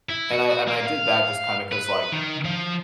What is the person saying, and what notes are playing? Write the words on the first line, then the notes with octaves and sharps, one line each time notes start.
and I and I did that just kinda 'cause, like,
E4
F#4
A#3
F5
B4
D#3
F3